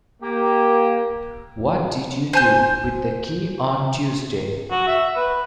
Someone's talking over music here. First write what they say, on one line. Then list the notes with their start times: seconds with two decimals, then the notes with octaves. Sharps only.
What did you do with the key on Tuesday?
0.22 A#3 G4
2.33 C5 G#5 G6
4.71 F#4
4.87 E5
5.16 B4